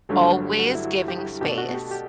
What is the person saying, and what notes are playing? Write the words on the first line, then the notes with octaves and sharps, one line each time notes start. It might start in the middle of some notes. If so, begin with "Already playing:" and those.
always giving space.
G1 G2 D3 F#3 A3 G4
G4
F#4
E4
G4
B2 A3 D4 G4 A4
F#4
G4
G4